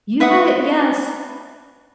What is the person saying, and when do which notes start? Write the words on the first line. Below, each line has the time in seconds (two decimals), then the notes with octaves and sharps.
You got yes.
0.20 B4 E5 F#5 D#6